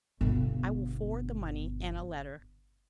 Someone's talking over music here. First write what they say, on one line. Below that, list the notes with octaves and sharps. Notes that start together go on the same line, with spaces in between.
I will forward the money and a letter.
G1 B2